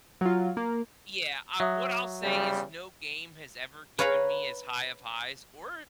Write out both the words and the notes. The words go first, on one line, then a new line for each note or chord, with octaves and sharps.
Yeah, I what I'll say is no game has ever given me as high of highs, or
F#3 F4
A#3
F#3 E5 D#6
E2 C#3 G3
B4 C#5 F5 A#5 B5